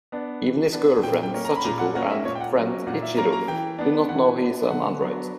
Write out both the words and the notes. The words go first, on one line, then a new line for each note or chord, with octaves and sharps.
Even his girlfriend Sachiko and friend Ichiro do not know he is an android.
B3 D4
E3
B3 D4
A#2 G5
G5
A#3 C#4
A#5
B5
A#2 A#5
F#5
A#3 C#4 F#5
E5
A#2 C#5
G5
F#5
F#3 A#3 C#4
A#2 F#5
E5
F#3 A#3 C#4 A#5
A#5
E3 G5
B3 D4
E3 F#5
B3 D4
D3 F#5
F#3 B3 D4